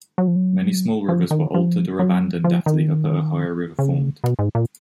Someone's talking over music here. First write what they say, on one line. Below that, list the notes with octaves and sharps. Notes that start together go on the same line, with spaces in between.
Many small rivers were altered or abandoned after the upper Ohio River formed.
F#3
F3
F#3
F3
D#3
F3
F#3
F3
D#3
C#3
B2
G#2
A#2